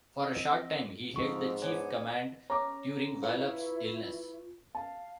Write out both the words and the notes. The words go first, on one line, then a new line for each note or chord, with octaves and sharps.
For a short time, he held the chief command during Wallop's illness.
C4 D#5
G#2 F3 C4 D#4 C#6
B3 D4 C#5 G#5
C#4 A#5 D6
E4 F4 B4 C#6
F5 A5